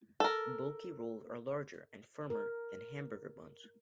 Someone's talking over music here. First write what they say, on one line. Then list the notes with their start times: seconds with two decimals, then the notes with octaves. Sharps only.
Bulkie rolls are larger and firmer than hamburger buns.
0.20 A4 A#4
2.30 A#4